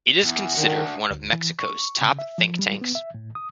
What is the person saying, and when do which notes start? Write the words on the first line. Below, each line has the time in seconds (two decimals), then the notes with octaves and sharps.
It is considered one of Mexico's top think tanks.
0.23 E2
0.54 D#3 D4 F#4
1.11 D2
1.33 E3
1.59 C#6
2.02 C#3
2.19 E5
2.38 F3
2.59 G3
2.81 B3
2.95 E5
3.14 A2
3.35 D#6